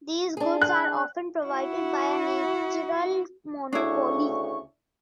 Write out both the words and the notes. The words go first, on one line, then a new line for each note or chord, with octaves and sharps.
These goods are often provided by a natural monopoly.
D4 G#4
F#6
E4 F#4
D2 C#3 D4 E4 C#6